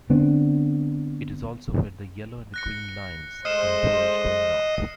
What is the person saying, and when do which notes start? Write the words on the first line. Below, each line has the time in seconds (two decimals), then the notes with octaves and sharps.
It is also where the Yellow and Green lines converge going north.
0.10 D3 B3 C4 D4
2.54 F#6 A#6 C#7
3.45 G#3 A3 C5 D#5 F6 C7 E7